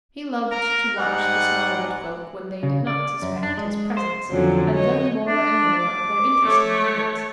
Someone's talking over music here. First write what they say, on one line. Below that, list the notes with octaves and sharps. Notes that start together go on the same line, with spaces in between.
He loved to watch the small woods folk when they did not suspect his presence, and learn more and more of their interesting habits.
A#4
G#2 G3 F#5
C#3
D5
F#2
D4
G#3
C5
F2 D3 F3 F#3 C#4
C#5 D#5
D4
D6
A3 C#5